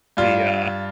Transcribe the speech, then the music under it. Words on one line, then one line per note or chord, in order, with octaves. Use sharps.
the, uh
G2 G3 F4